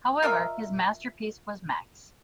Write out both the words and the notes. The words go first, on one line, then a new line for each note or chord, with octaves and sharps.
However his masterpiece was Max.
F4 A#4 D#5 E5